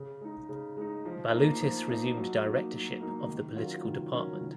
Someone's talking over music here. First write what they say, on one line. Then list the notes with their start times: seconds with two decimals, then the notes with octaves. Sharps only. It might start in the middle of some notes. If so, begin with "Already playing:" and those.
Balutis resumed directorship of the Political Department.
Already playing: C#3
0.21 G#3 D#4
0.49 C#3
0.77 G#3 D#4
1.05 F3
1.32 A#3 D#4
1.61 F3
1.88 A#3 D#4
2.17 F#3
2.44 A#3 D#4
2.73 F#3
3.00 A#3 D#4
3.29 D#3
3.56 F#3 C#4 F4 A#4
3.85 D#3
4.13 F#3 C#4 F4 A#4
4.41 D#3